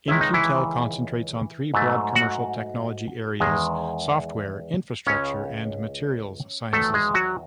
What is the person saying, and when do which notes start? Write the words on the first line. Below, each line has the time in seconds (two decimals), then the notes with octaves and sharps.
In-Q-Tel concentrates on three broad commercial technology areas: software, infrastructure and materials sciences.
0.08 C#2 C3 D#3 G#3 E4
0.21 D#4
0.34 E3 E4
1.74 G#2 F#3 A3
2.15 F#4 F#5
3.40 E2 D#3 G#3
5.06 C#2 C#3 G#3 C#4 C#5
6.73 E2 D#3 F#3 A3 A4
6.94 G#3 G#4
7.14 F#3 F#4